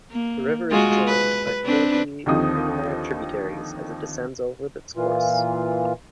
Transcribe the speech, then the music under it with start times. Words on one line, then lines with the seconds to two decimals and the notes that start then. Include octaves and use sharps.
The river is joined by forty-three minor tributaries; as it descends over its course.
0.11 A#3
0.71 G#3 F4 F#4
1.07 B4
1.65 C4 D4 B4
2.26 D#2 D3 F3 C4 D#4 D#6
4.96 A#2 E3 F4